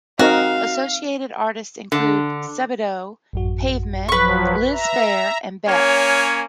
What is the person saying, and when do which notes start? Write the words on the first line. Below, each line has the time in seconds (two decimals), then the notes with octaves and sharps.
Associated artists include Sebadoh, Pavement, Liz Phair, and Beck.
0.19 C4 D#4 F#4 A#4 F5
1.92 D3
3.33 A1 F#2 F#4
4.09 F3 F#3 B4 C#6
4.72 E5 A#5
5.68 A#3 C#4 C#5 G#5